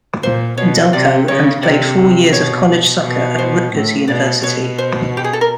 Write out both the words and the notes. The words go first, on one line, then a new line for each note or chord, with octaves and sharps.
Delco, and played four years of college soccer at Rutgers University.
A#2 C5
B2 C#5
C3 D5
C#3 C#5
C3 D5
B2 C#5
B2
C5
A2
B2 D5
B2 C#5
C5
G4
G#4
A4
A#4